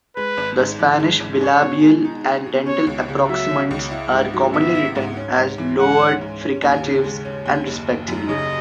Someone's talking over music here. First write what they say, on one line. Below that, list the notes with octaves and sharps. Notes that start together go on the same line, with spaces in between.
The Spanish bilabial and dental approximants are commonly written as lowered fricatives, and respectively.
G#3 B4
G#1
G#2
E3
G#3
G#1
G#4 C#5
B2
G#3
D#4
G#4
B2
C#4 C#5
C#2
C#3
F#3 E5
C#4
C#2
E4
G#2
F#3
B3 E5
E4
G#2
C#4
G#2
E3
G#3 F#5
C#4
G#2
C#4
D#2
C#3
G#3
C#4
D#2
F#1
F#1
F#2
C#3 D#5